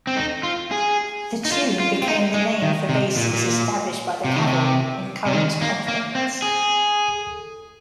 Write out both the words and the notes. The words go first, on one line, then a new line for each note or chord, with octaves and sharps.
The tune became the name for bases established by the Cavalry in current conflicts.
C4
D#4
F4
G#4
D#4
F4
F4
C4
D#4
G#3
D#3
C3
A#2
A#2
C3
D#3
C3
C3
D#3
A#3
A#3
C4
G#4